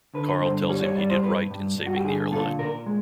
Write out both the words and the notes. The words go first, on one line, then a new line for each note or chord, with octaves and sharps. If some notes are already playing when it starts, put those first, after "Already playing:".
Carl tells him he did right in saving the airline.
D3 B4
G2 C5
G3 C#5
C#5
G2 D5
C5
G2 B4
G2
G2
F#4
G4
D3 G#4
G#4
A#2 A4
A#2 A#4
G#3